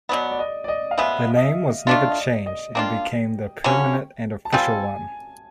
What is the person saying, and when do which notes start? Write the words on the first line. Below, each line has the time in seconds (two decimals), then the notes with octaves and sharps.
The name was never changed, and became the permanent and official one.
0.09 B2 F#3 B3 D5
0.31 D5
0.39 D#5
0.64 D5
0.68 D#5
0.91 F5
0.98 F3 G#3 B3 E5
1.37 D#5
1.43 E5
1.87 A3 D4 F4 D#5
2.10 D#5
2.17 D5
2.46 D#5
2.75 A#3 D4 F4 G5
3.64 D3 F#3 A#3 C#4
4.45 A5
4.52 G3 C4 F4 A4 G#5